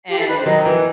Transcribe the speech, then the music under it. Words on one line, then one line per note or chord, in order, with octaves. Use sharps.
And Yeah.
G4
A4
B4
C5
D#3 F#3 D#5
E3